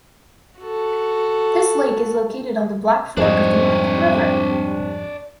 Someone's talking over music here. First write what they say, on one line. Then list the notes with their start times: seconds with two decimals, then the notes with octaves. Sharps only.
This lake is located on the Black Fork of the Mohican River.
0.59 F#4 A4
3.17 F2 G#2 G3 C4 D4 C5 C#5 D#5